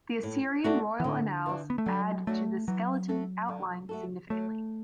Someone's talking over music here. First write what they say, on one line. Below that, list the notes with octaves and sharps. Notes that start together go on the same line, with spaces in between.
The Assyrian royal annals add to this skeleton outline significantly.
A2
A3 D4 F#4
E3
A2 D3
E3 D4
B3
A3
D3 F#3
F#3 A3 D4 F#4
E3 F#3
A3 F#4 A4
D3
A3 F#4 A4
F#3 A3